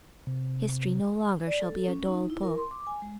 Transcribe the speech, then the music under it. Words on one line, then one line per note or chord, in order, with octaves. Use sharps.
History no longer shall be a dull book.
C3
D5
A4
C#4
D#4
E4
A#4
C6
D6
G#5
G#3